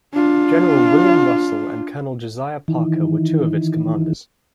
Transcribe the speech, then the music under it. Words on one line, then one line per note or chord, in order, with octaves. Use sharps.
General William Russell and Colonel Josiah Parker were two of its commanders.
D4 F4
D#3 E3